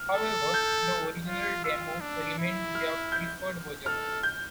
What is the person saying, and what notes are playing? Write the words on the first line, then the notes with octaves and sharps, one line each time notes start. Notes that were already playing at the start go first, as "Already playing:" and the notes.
However, the original demo remained their preferred version.
Already playing: F6
A4
G6
F4
F4 E6
D4
E4
F6
G6
A4 F6
G6